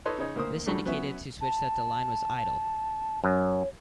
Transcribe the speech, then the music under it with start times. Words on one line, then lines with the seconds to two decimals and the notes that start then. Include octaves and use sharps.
This indicated to switch that the line was idle.
0.05 D#4 A4 B4 C#5 D#5 C6
0.18 C#3 D#4 C#5
0.36 D2 A#3 A#4 C5 D#6
0.66 G2 C#3 F#3 A3 D4
0.86 F#3 B3 C#4 B4 E5
1.41 A5
3.24 F#2 C#5